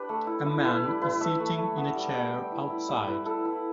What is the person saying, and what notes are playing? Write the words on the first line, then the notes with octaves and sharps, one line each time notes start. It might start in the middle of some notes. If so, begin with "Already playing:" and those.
A man is sitting in a chair outside.
Already playing: D4 G4 B4
A3
E4
E4
E4 B4
G3
E4 B4
A3 E5
A3
A3
B3
G3
G3 G5
G3
E4
E4
G3 E5
E4 B4
E4 A4
E4